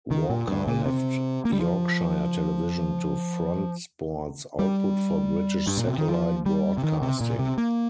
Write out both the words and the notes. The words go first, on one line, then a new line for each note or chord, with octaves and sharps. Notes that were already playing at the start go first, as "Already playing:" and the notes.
Walker left Yorkshire Television to front sports output for British Satellite Broadcasting.
D#3
A#2
G2
A#2
C3
A#3
G3
F3
G3
G2
A#2
C3
D#3
F3
G3
C3
D#3
C3
A#2
C3
A#3